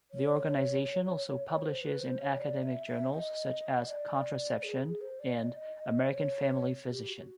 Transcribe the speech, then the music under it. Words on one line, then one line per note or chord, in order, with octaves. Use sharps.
The organization also publishes in academic journals such as "Contraception" and "American Family Physician".
C#5
C#5
C5
B4
C5
C#5
D5
E5
E5
D#5
D5
G#4
G4
G#4
C5
D5
D#5
D5
D#5
D#5
C5
C#5
G4
F#4